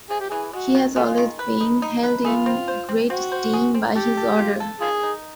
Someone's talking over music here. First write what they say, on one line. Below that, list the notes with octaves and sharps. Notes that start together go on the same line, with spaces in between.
He has always been held in great esteem by his order.
C3 G#4
G4
E3 G#4
G#3 F#4
D#3
G#3 A3 F4
D#3
B4
D#4
D#4
B4
A3 F4 G#4
C4
C5
C4
C4 F#4
C5
G#4
C4
G4 A4
A4
F4
A4
D#3 F4 G#4
D#4